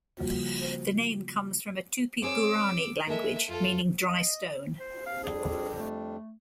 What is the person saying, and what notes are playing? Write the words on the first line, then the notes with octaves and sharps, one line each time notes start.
The name comes from a Tupi-Guarani language, meaning "dry stone".
C#3 F3 G3 A#3 F4 F#4
C4 G#4 C#5 D6 E6
G#3 A#3 A4 E5
F2 F4 A4
D#5
C5
F5
F2 G3 D4 G#4
A3